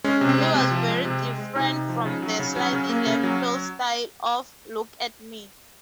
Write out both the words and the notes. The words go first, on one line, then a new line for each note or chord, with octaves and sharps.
It was very different from the slightly leftfield style of 'Look at Me'.
G#3 C#4
C3
C4
G#3
C3 C4
F3
G#3
C3
G#3
G#3
C3 D#4
C3
F3
C#3
F#3
C#3
F#3 C#4
C#3
A#3
C#3
F#3